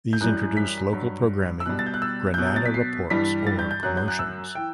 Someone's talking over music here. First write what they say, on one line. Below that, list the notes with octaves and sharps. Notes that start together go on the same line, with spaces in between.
These introduced local programming, "Granada Reports", or promotions.
G6
F#2 E3 G3 F#6
B6
G2 F#3
E6
B2 G3 F#6
A6
G6
F#6
E6
G6
B2 F#3 F#6
G6
A6
B6
C7
G2 E3 G3 B6
A6
G6
G6
F#2 F#3 F#6
G6
F#6
E6
E3 G5